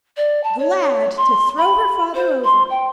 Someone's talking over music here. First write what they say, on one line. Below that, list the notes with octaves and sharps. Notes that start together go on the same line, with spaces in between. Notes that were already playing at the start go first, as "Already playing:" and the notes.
Glad to throw her father over!
D5
A5
C#5
C6
B5
C5
C6
G5